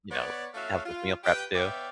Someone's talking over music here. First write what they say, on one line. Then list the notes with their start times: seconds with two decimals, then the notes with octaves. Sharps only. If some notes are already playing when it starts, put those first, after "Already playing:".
you know, helps with meal prep, too.
0.11 B3 C#5 D5
0.55 A3 C#4 F#4 E5 F5
0.85 F4
1.24 G4 B4 G5
1.54 B3 C#5 D5 E5 F5 G5